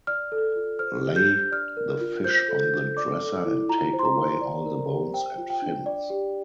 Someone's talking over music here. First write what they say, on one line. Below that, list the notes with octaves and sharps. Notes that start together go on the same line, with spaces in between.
Lay the fish on the dresser and take away all the bones and fins.
D5 F6
A4
F4
C5 F6
G4
G6
D4
D5 F6
A#4
F4
C5 G6
A4
G6
D4
D5 D6
A4
E4
F4 A#5
C5
C6
A#5
C5
D5
A#4
G4
C5 G5
F4
G5
D4
D5
G4